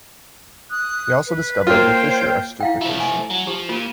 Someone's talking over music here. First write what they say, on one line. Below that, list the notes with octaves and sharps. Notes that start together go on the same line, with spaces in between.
He also discovered the Fischer esterification.
D#6 F#6
B4
A#3 F4 C5 C#5 G5
E4 F5 G5
F3 A3 F4
G#5
F#3
F3 G4
A#2 F4